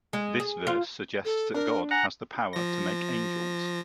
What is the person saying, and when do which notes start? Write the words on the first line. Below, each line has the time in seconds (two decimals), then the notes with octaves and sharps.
This verse suggests that God has the power to make angels.
0.13 G#3
0.40 G#4
0.67 F4
1.25 A4
1.54 D4 A#4
1.91 F#5 G#5 A#5
2.53 F3 A#6